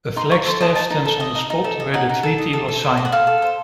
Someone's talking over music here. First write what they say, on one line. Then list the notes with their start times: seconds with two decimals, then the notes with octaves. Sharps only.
A flagstaff stands on the spot where the Treaty was signed.
0.16 D#4 C6
0.31 D#4 C#6
0.46 A4 C6
0.61 D#5 A5
0.75 D#4 A5
0.90 D#4
1.05 A4
1.20 D#5
1.35 D#4
1.50 D#4
1.64 A4
1.80 D#5
1.94 D#4 F#5
2.09 D#4
2.23 A4
2.38 D#5
2.53 A4
2.68 A4
2.83 C5
2.97 D#5
3.05 F#5
3.12 A4 F5
3.27 A4
3.42 C5